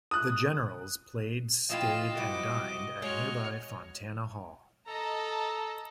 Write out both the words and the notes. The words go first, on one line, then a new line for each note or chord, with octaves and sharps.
The Generals' players stayed and dined at nearby Fontana Hall.
D#6 F#6
F3 E4 F4 G4 D#5 F5 E6
C3 G3 E4 F#4 D6
G#3 F#4 C#5 F6
A4 D#5 A5 A#5